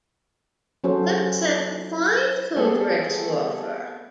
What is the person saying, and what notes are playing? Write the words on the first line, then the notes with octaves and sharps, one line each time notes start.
Lipsett declined Kubrick's offer.
F#3 C#4 F#4 A4 C5
G3 A3 B3 C4 G#4 A4